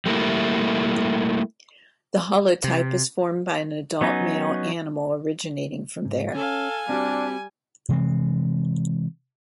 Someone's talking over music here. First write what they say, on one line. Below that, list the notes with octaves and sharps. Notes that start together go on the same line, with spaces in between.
The holotype is formed by an adult male animal originating from there.
G3 A3 A#3 E4
C3
F#3 B3 C#4 D#4
G#2
C#4 A4 F5 G#5
G3 C4 D4 F#4 G4
C3 E3 G#3 C4